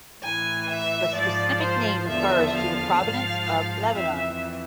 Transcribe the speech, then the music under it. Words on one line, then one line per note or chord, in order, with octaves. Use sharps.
The specific name refers to the provenance from Lebanon.
A2 E3 G#5
E5
G#2 F3 D5
C5
E2 D3 F3 E5
F5
G#2 F3
F2 E3 E5